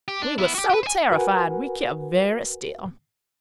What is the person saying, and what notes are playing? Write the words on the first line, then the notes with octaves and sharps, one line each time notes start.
We were so terrified we kept very still.
G4
D4
B3 E4
F#4 G4
G4 B4
C5 G#5
F#4 A#4 B4 F#5 G#5